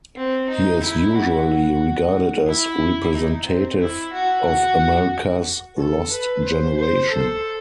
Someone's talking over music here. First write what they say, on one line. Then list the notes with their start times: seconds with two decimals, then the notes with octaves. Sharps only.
He is usually regarded as representative of America's Lost Generation.
0.17 C4
0.49 D#4
0.83 E4
1.15 F#4
2.47 E4
3.14 D#4
3.46 C4
3.80 E4
4.12 F#4
4.45 F#4
5.77 A4
6.10 B4
6.44 C5
6.77 C5
7.10 A4